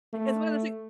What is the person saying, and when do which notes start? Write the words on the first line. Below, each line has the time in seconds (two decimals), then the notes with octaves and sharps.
It's one of those thi
0.13 A3